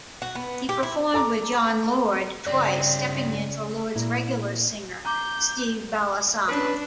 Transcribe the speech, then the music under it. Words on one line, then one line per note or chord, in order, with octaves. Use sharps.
He performed with Jon Lord twice, stepping in for Lord's regular singer Steve Balsamo.
F#4
B3
G4
E4
A4 A#5 D6
G2 C#3 C4 D5
A#2 E4 A#4
A#5 D6 G6
C#4 D4 B4